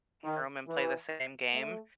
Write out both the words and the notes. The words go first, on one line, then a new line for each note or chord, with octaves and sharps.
in a room and play the same game,
D#3
E3
A3